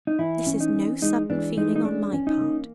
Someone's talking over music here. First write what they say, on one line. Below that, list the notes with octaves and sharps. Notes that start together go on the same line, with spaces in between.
This is no sudden feeling on my part.
D#4
E3 E4
C#4
D#4
E3
G#3 D#4
E3 D4
G#3 D#4
D#4
C#4 D4
C#4
D#4
A#3